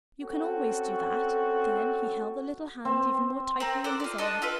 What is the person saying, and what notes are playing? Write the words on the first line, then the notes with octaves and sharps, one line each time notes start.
"You can always do that." Then he held the little hand even more tightly in his own.
C4 C#4 F#4 A4
C4
C4 A#4
A4 C5 F#5 D6
D4 F4
D4 A4 D#5 A5
F4 A4 B4